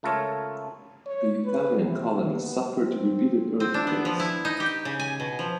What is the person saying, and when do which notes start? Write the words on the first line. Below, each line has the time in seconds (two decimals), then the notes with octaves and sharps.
The Italian colony suffered repeated earthquakes.
0.03 C#2 A3 F4 A4 A#4 C#5
1.06 C#5
1.45 B4
1.86 C3
2.30 B3
2.74 C4
3.60 C4
3.74 D4
3.87 B3
4.05 F3
4.20 E4
4.45 D#4
4.60 G4
4.85 C#3
4.99 G#5
5.20 B2
5.39 F3